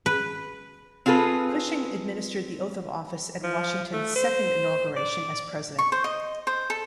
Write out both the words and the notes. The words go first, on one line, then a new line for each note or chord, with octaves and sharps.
Cushing administered the oath of office at Washington's second inauguration as president.
B4
C4 F4 G#4 A4 B4
F3
A3
C5
D5
C#6
C5
D#5
C5
A4